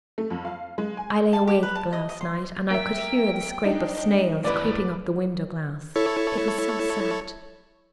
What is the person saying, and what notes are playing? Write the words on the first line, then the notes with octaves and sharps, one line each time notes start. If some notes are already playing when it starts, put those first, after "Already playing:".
I lay awake last night, and I could hear the scrape of snails creeping up the window-glass; it was so sad!
A3
F2
F5
G#3
G#5
A5
G4
B4
A5
D#5
D#5
C6
A#3 E5 G5
D4 D#4
E2 A2 E3 B4 D5
E4 A4 C#5